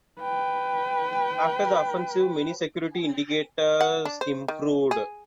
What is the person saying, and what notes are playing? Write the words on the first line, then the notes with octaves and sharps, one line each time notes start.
After the offensive, many security indicators improved.
B4 G5
F#5
D4
C5
D#3
G#4